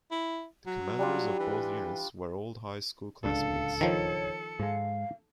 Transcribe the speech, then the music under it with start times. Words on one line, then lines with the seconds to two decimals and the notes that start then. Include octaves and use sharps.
The commanders of both units were old high school classmates.
0.11 E4
0.66 F#3
0.99 G3 D4 F4
1.40 E3
3.24 D1 C#2 D4 A4 F5 C#7
3.81 D#3 F3 C#5
4.60 G#2 G#3 F5